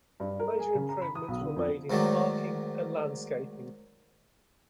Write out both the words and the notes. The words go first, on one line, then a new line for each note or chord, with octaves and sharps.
Major improvements were made in parking and landscaping.
G2
A#4
G#4
C#3
A#5
B5
D#6
B1
D3
F2
G#2 D#3 F#3 A3 D5